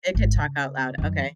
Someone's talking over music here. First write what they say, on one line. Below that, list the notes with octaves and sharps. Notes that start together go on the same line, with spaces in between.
It can talk out loud. Okay.
G#1
C#3
F#2 D#3